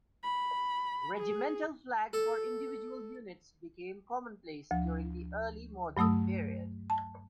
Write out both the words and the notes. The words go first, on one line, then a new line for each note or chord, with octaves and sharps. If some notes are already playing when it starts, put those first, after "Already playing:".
Regimental flags for individual units became commonplace during the Early Modern period.
B5
G#4
A4
D2 F3
G2 F#3 A3 D#6 E6
A5